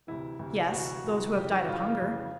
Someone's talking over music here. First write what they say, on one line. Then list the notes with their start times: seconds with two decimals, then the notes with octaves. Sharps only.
"Yes; those who have died of hunger."
0.07 D2 C3 E3 E4
0.39 D2 C3 E3
0.68 G4
0.72 D2 C3 E3 F#4
1.04 D2 C3 E3
1.36 F2 C#3 E3 G4
1.52 F#4
1.68 F2 C#3 E3 F4
2.01 F2 C#3 E3